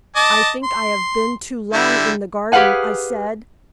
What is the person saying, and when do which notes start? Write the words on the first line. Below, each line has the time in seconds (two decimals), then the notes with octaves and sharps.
"I think I have been too long in the garden," I said.
0.16 D#5 A5 D6
0.63 C6
1.73 D3 G3 E4
2.52 G4 G#4 B4 F5 F#5 G#5